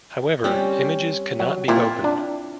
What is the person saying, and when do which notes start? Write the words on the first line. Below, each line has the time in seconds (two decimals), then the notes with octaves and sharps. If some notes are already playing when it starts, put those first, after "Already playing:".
However, images cannot be opened.
0.44 G3 C4 C#4
1.39 F#3
1.68 A#2 C4 E4 F4
2.04 D4